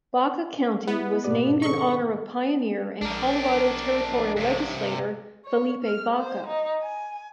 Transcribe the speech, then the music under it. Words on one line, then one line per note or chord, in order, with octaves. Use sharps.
Baca County was named in honor of pioneer and Colorado territorial legislator Felipe Baca.
B3 E4
G#2 B2 G4 D5
D#3 D4 G#4 A4 C#6
A#1 D4 A#4
G2 C3
C#5
F6
C5
D#4
G#5